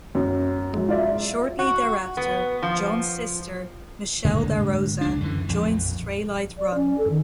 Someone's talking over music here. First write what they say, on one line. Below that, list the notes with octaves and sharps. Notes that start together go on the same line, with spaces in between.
Shortly thereafter, John's sister, Michelle DaRosa, joined Straylight Run.
F#2
F#3 G#3
F4 D5 E5
F#4
B3
F3
G#2 D3 G#3 A#3
C#2 D4
F#2 D3 E3
A#1 F2
D5
C#4
A4
D#3